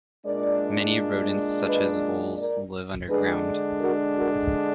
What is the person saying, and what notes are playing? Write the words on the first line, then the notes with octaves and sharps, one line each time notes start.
Many rodents such as voles live underground.
A#2 G#3 D4 A#4 D5
B4 D#5
A#4 D5
D3 G#3 D4 G#4 B4
F#4 A#4
F#4 A#4